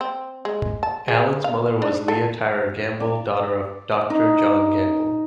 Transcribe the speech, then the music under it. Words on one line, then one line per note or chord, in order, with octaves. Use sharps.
Allan's mother was Leah Tyrer Gamble, daughter of Doctor John Gamble.
C4
G#3
A5
G#4
F5
D4
A4
D5
D#4